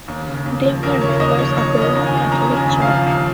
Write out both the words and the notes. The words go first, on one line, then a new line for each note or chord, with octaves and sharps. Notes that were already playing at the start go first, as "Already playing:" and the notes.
They were members of the Roman Catholic Church.
D#2
C#3
D#2
F3
D#2 A#4
C#3 C#5
D#2 D#5
F3 C#5
D#2 C#5
C#3
D#5
D#2
G#5
F3
D#2 A#5
C#3
G#5
D#2
F5
F3
D#2